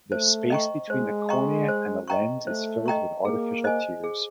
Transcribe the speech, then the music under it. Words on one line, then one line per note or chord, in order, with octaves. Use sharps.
The space between the cornea and the lens is filled with artificial tears.
A3 C5
D#5 G5 A#5 C#6
G#3 C5
D#5 G5 A#5 C#6
C5
D#5 G5 A#5 C#6
A3 C5
D#5 G5 A#5 C#6
A#3 G#4
C5 D#5 G#5
G#4